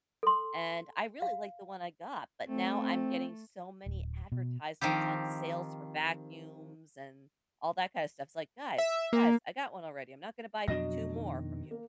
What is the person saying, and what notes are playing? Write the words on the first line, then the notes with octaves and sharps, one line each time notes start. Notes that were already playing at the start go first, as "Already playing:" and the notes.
and I really like the one I got, but now I'm getting so many advertisements on sales for vacuums and all that kinda stuff. It's like, "Guys, guys, I got one already, I'm not gonna buy t two more from you."
A4 C6
F5
A3 C4
C4
D1
B2
D#3 F3 C4 G4
E5
A#3
F2 B2 F#3 D4 D#5 A#6
D#3
A#3